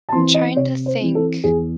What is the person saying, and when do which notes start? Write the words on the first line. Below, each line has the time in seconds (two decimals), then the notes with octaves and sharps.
I'm trying to think,
0.09 A5
0.12 E3 C4 C6
0.34 D#5
0.56 C3 C#5
0.86 C5
1.01 E3 C4
1.15 A4
1.44 E2 G#4